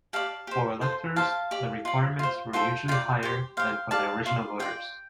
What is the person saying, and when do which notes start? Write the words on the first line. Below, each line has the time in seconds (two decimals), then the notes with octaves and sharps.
For electors, the requirements were usually higher than for the original voters.
0.13 G4 D5 F5 A5
0.47 G4 C5
0.81 F4 A4 C5
1.16 G4 C5 F5 A5
1.51 G4 D5
1.85 F4 D5
2.19 F4 C5
2.53 F4 A4 C5 G5
2.88 F4 D5 G5
3.23 G4 C5
3.57 G4 C5 F5
3.91 G4 D5 F5 A5
4.26 F4 D5 F5
4.59 F4 D5 G5